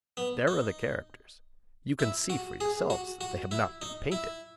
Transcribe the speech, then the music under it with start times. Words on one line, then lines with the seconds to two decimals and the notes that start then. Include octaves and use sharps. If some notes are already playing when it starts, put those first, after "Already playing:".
There are the characters: you can see for yourselves that they have not been painted.
0.17 B3
0.48 D#4
1.99 E4
2.30 F#4
2.61 G#4
2.90 F#4
3.21 F#4
3.51 E4
3.82 D#4
4.12 E4